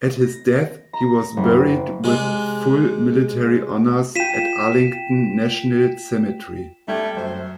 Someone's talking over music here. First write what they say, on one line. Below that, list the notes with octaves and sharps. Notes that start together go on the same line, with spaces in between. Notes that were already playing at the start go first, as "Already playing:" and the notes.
At his death he was buried with full military honors, at Arlington National Cemetery.
A#6
A#5
F#1
C3 G#3
F4 G5 B6 D#7 E7
G3 A3 G4 G#6
F#2 C5